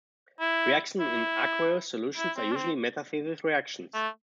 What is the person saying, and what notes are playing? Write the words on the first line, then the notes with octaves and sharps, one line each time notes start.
Reactions in aqueous solutions are usually metathesis reactions.
E4
E4
E4
C4
D4
C4
A3